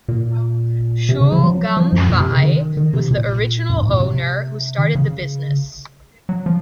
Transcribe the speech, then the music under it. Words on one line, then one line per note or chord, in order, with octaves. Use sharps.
Chu Gam Fai was the original owner who started the business.
A#2
C3
C#3
F3
F#3
F3
F#2
A#2
C3
C#3
D#3
D#3
C3
A#2
F#2
G#2
A#2
C3
D#3
C#3
F#3
F3